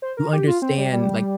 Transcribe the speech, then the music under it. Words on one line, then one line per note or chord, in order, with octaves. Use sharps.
you understand, like,
C5
A#4
G4
F4
C4
G3
G3